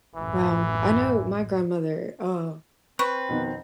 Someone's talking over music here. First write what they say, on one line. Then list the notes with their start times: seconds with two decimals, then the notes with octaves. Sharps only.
Wow, I know my grandmother, uh
0.16 A1 F#2 E3
2.99 C4 B4 C#6
3.29 F2 B2 D#3